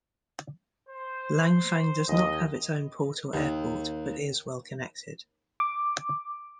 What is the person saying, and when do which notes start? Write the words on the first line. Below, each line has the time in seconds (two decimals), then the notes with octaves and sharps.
Langfang does not have its own port or airport, but is well connected.
0.89 C5
2.08 D#2 D#5
3.33 D#2
5.60 D6